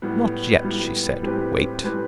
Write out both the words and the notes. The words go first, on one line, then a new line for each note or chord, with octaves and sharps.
"Not yet," she said; "wait."
A2 G3 B3
A2 G3 B3
A2 G3 C4 G4 B4
A2 G3 C4 G4 B4